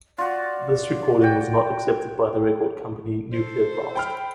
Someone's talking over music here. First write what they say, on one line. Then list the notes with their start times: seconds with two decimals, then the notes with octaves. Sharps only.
This recording was not accepted by the record company Nuclear Blast.
0.18 F4 F#4 D5
1.22 F#4 G5
3.33 A4 C5
3.95 G5 B5 F6